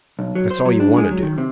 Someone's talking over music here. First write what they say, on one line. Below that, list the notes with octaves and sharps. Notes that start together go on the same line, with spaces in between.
"That's all you want to do."
B1
F#3
C5
F#3
D4
G#3
F#3
D#3
C3